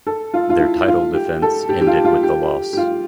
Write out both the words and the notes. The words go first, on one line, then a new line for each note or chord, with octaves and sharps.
Their title defense ended with the loss.
A4
F4
F4
E4
F4
G4
A4
G4
G4
F4
F4
G4
G4
F4